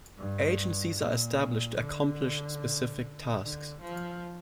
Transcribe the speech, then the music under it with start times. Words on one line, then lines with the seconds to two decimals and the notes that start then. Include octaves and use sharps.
Agencies are established to accomplish specific tasks.
0.18 G2
0.99 A#2
1.79 D3
3.40 D3
3.81 F3